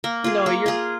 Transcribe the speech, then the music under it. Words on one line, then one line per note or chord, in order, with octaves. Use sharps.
No. You're
A#3
F4 G#4
A#3
F4 G#4